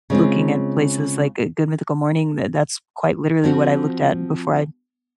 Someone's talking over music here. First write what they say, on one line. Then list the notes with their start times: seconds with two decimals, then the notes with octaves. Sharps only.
looking at places like, uh, Good Mythical Morning. Th that's quite literally what I looked at before I
0.10 C#3 G#3 C4 F4
3.44 F3 C4 F#4